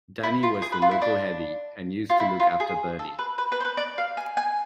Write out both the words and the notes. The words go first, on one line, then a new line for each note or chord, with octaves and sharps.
Danny was the local heavy and used to look after Bernie.
E4
F4
G#4
B4
F4
E4
D4
F4
E4
F4
G#4
A4
B4
B4
B4
C5
B4
D5
F5
G#5
G#5